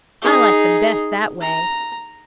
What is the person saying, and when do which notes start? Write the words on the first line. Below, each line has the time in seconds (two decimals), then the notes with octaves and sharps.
I like them best that way.
0.22 D#4 G#4
1.40 A#5